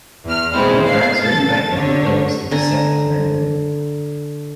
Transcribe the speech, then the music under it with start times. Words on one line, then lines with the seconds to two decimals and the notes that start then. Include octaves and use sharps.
All tracks written by Anthony Phillips, except where noted.
0.25 E2 F6
0.53 B2 E3 G#3 A3 C4 E4
0.85 F5 C7
1.20 A4 A6
1.71 D3 F#3 C#5
2.51 D3 G#5 A#5